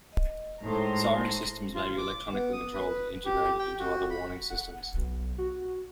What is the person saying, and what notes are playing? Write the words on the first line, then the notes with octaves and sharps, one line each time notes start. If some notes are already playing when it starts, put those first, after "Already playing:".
Siren systems may be electronically controlled and integrated into other warning systems.
D#5
A2 G#3 D#4 C5 A5 A#5 C6
F4
D6
B3
D#6
B4
G4
G5
F#4
B5
F#5
B1
F#4